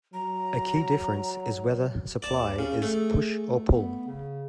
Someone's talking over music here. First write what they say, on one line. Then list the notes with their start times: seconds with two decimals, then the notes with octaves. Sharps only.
A key difference is whether supply is 'push' or 'pull'.
0.14 F#3 A#5
2.22 D#2 D5 A5
2.59 C#3
2.82 A3 G#4
3.69 B3
4.07 C#3